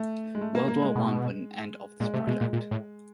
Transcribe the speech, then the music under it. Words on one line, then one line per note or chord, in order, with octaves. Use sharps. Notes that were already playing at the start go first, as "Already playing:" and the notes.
World War One put an end of this project.
Already playing: A3
G#3
A3
A#3
A#3
G#3
B2
A#2 G#3
C3 A3
B2 G#3
A#2
A#2
A2